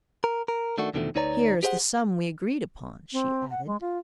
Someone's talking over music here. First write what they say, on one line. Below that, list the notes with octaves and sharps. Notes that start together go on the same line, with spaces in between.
"Here is the sum we agreed upon," she added.
A#4
A#4
D#3 A3 D4 F#4
E2 B2 D3 D#3 F3 A3
D2 D#4 B4 C#5 D5 A#5
G4 G#4 C5 E5 F#5
C4
F#5
G#3
F4